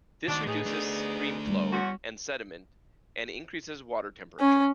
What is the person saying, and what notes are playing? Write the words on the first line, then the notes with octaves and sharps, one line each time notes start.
This reduces streamflow and sediment and increases water temperature.
D#3 D4 F#4
A2 B3 D#4 G#4
A3 D4
G3 B3
E2 C#4 F#4
C#4